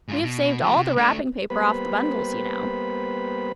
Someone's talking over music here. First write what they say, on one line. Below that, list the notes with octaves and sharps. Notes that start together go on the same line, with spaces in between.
"We have saved all the wrapping paper off the bundles, you know."
G#2 F4
B2
F3 G4
C3
A3 D4
G3 A#3 B3 B4 C5 B5